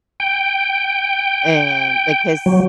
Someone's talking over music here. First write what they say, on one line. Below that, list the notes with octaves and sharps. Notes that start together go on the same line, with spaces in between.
And, like, his
G5
F#3